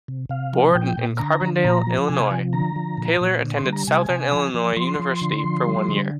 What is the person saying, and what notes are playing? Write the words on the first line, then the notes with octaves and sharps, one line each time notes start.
Born in Carbondale, Illinois, Taylor attended Southern Illinois University for one year.
C3
C3 F5
F3
A#2 G5
A#2
D3 A#5
F3
A#2 A#5
F3
C3 G#5
F3
D3 A#5
F3
A#2
A#2
D3
C6
G3
A#5
C3 G#5
C3
F3
F3
F3 C6
F3
D3
F3
G3
D3